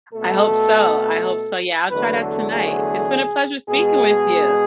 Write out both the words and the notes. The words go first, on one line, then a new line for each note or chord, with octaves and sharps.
I hope so I hope so. Yeah, I'll try that tonight. It's been a pleasure speaking with you.
B2 A3 A4
E2 D3 F#3 A3 B4
A4
G#4
B2 G#3 G#4